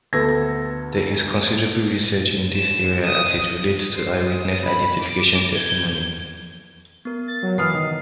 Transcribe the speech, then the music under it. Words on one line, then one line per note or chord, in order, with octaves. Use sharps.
There is considerable research in this area as it relates to eyewitness identification testimony.
D2 B3 A4 G#6 A#6
E7
D#6
C5
D#6
B5
D6
G6 G#6
B3 A#4
A6
F#3
E3 D#6 F6 C7
D#3